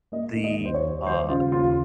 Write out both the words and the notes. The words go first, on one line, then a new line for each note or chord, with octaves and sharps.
the, uh,
A#3 D#5
D#3
D#5
D#2
C5
C#5
D#2
G3 C5
C#3 F4
D#2 F4